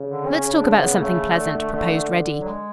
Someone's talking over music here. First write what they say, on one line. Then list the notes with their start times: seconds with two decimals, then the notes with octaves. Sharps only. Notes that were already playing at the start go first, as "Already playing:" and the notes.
"Let's talk about something pleasant," proposed Reddy.
Already playing: C#3
0.09 D3
0.27 C#4
0.52 D4
0.77 B3
1.00 C#3 A3
1.37 D3
1.74 D3
2.41 F#3
2.47 G#3